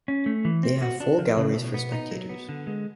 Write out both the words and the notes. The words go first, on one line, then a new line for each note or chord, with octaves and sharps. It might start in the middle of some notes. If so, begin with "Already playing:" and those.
They have full galleries for spectators.
C#4
A3
E3
C4
F#4
D4
F3
C#3
B2
B3
D#4
F#3
B3
D3
G#3